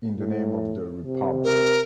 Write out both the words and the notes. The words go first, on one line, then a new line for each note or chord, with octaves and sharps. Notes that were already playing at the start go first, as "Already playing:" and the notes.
In the name of the Republic.
A2
C3
A#4